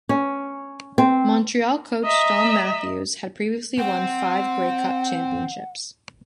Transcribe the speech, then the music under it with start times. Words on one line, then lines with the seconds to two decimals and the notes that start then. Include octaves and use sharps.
Montreal Coach Don Matthews had previously won five Grey Cup championships.
0.09 C#4
0.98 C4
2.03 D#5 E5 A#5
3.78 C4 F#5